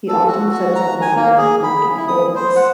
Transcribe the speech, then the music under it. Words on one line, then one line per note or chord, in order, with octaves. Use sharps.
He often sets up Melbourne's marking forwards.
A4
F#4
F#4
A#5
G#5
A#3
G#4
B5
E4
D#6
C5
F#5